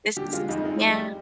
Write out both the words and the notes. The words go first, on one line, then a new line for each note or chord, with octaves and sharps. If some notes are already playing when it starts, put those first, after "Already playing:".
this is Yeah,
D3 G4
G#3 F4
F2 D#4
G#3 D#4
G3